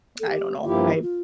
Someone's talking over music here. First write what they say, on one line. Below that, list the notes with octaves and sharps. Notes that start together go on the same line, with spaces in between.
I don't know. I
A4
G4
G2 F3 A#3 E4 F4 G4
G4
F4